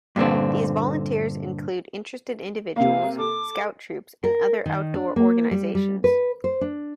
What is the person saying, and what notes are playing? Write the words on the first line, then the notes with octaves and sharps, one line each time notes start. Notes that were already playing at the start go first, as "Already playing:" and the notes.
These volunteers include interested individuals, scout troops, and other outdoor organizations.
G2 A#2 D3 C4
C3 A#3 F5
A4 D6
A#4
D#3
D4
A#3
G3
G3
B4
C5
D4